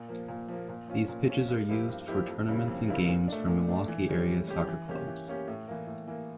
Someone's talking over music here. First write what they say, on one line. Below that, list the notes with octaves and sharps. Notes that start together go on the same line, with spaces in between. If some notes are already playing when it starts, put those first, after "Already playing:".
These pitches are used for tournaments and games for Milwaukee area soccer clubs.
Already playing: A#2
F3 A#3
A#2
F3 A#3
A#2
F3 C#4 F4
A#2
F3 C#4 F4
G2
F3 A#3 E4 G4
G2
F3 A#3 E4 G4
F2
C#3 G3 A#3 E4
F2
C#3 G3 A#3 E4
A#2
A3 D4
A#2
A3 D4
E3
G3 C#4 G4
E3
G3 C#4 G4
E3
A#3 C#4 G4
E3
A#3 C#4 G4
A2
E3 A#3
A2
E3 A#3